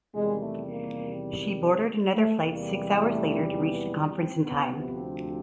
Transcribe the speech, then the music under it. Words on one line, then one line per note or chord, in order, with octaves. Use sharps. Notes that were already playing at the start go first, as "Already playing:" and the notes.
She bordered another flight six hours later to reach the conference in time.
E2 C3 D#3 G3 G#3
A3
A#3
A3
E2 C3 E3 G3 A#3
A3
B3
C4
B3
D2 C3 F3